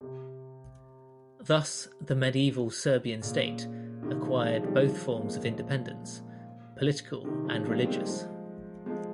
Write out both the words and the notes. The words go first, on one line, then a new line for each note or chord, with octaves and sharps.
Thus the medieval Serbian state acquired both forms of independence: political and religious.
C3
A#2 C#3
C3 D#3
C#3 F3
F3 G#3
D#3 G3
G3
C#3 F3
A#3
G#3 C4
A#2 C#3
C3 D#3
C#3 F3
G3 A#3
G#3 C4
F3 G#3
F3 G#3